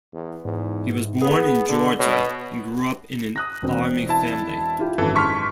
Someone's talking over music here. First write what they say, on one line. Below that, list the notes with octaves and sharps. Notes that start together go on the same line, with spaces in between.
He was born in Georgia and grew up in an Army family.
E2
E2 G#2
B3 G#4
D3
B2 C#5
D#6 F#6 A#6
E1 B2 C4
E4 A5
E4 F4 G4
G#1 F#2 E3 A4
G#2 A5 C6 C#6 F6 B6